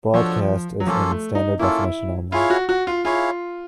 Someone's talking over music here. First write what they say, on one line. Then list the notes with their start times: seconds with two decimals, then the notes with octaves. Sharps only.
Broadcast is in standard definition only.
0.14 F3 D4 F#4 A4 C#5
0.80 F#3
0.86 F3 A#3 C#4 F4 A4
1.11 A3
1.35 D#4
1.59 A#3 C#4 E4 F4 A4
2.32 E4 F4 G#4 C#5 F5
2.50 F#4
2.69 F#4
2.87 F4
3.05 E4 F4 G#4 C#5 F5